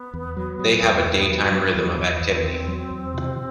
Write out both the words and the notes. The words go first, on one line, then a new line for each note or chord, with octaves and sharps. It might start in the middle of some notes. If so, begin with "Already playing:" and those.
They have a daytime rhythm of activity.
Already playing: B3
E2
F#3
F#3
E2
E2
F#3
F#3
E2
E2
E2
E2 C4
F#3
E2
C3